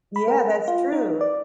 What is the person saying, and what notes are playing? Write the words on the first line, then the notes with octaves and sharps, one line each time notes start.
Yeah, that's true.
B5
A#4
F4
D#4
D5